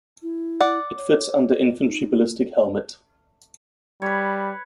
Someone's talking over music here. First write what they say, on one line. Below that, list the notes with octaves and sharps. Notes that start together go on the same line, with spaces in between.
It fits under infantry ballistic helmet.
E4
D5 F#5
C#5
D#4
G3 B4 C#5